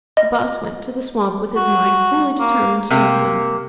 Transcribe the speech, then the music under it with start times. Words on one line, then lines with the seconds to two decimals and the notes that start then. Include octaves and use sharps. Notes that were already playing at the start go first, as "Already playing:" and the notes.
The Boss went to the swamp with his mind fully determined to do so.
0.17 D#5
1.56 F#4
2.39 A#3
2.90 C3 A#3